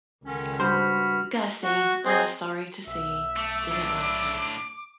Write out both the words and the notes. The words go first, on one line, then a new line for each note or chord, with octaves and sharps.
Gussie, I was sorry to see, didn't like him.
C#2 D3 D#3 C#4
G2 F#4 C5 B5 F6
F#4
C4 G#4 D#5
B1 E5
A3 D6
A2 D4